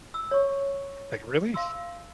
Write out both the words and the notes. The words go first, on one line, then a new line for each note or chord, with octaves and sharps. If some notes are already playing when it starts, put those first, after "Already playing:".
like, really?
E6
C#5 C#6
F5 C6 E6